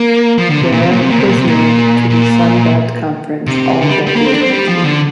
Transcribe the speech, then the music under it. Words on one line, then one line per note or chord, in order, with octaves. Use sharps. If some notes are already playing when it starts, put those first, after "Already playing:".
Ware was named to the Sun Belt Conference All-Decade Team.
Already playing: A#3
F3
D3
C3
A#2
C3
A#2
C3
A#2
C3
A#2
C3
A#2
A#2
C3
D3
G3
G3
A#3
C4
D4
C4
G3
F3
D3